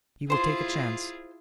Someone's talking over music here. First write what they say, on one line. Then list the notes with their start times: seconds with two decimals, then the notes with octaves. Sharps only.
We will take a chance.
0.30 E4 F4 G#4 C5 C6